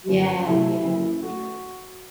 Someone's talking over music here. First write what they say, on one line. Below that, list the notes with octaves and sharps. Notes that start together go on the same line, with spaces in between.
Yeah, yeah. Sure.
G1 F#2 F#3
C2 C3 F#3 A3 E4
F#1 F#2 E3
A3 F#4